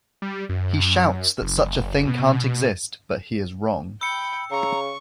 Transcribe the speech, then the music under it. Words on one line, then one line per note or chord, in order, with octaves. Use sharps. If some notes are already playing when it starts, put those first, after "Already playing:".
He shouts that such a thing can't exist, but he is wrong.
G3
F#2
F#1
B2
G5 B5 E6 C#7
C#3 A#5 C#6